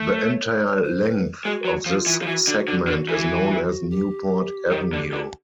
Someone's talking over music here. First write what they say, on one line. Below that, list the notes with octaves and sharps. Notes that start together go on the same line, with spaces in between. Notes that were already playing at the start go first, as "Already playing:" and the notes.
The entire length of this segment is known as Newport Avenue.
Already playing: A3
C#5
C#5
C5
B4
G#3 F#4
F#3
F3 F4
E3
F3 G4
E3 F#4
D3
D3
D3
E3
G4
D#3
D3
D3